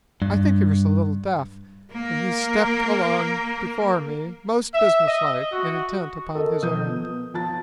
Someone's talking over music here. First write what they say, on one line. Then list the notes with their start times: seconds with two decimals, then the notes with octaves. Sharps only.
I think he was a little deaf, and he stepped along before me most businesslike and intent upon his errand.
0.22 G2
1.92 A#3 A#4
4.74 E5
5.07 D#5
5.52 F#4
6.35 A4 A#4 D#5
6.63 B2 F3 D#6 G6
6.90 B3
7.34 F3 A5 A6